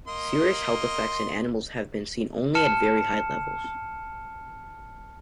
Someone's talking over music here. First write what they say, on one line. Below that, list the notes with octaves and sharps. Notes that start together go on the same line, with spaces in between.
Serious health effects in animals have been seen only at very high levels.
A#3 D#5 C6
A5 F6 C#7 E7